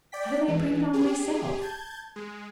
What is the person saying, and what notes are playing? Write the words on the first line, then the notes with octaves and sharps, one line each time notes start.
"How did I bring it on myself?"
D5 G5 B6
E3 G#3
G4 G#4
A5 G6 G#6
G#3